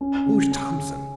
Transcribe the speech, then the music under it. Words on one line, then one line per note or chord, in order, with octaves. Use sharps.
"Who's Thompson?"
C#4
C#3
C#4
C#3